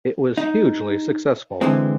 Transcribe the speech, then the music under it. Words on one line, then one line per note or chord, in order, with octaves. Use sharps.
It was hugely successful.
D#4
D3 E3 G#3 C4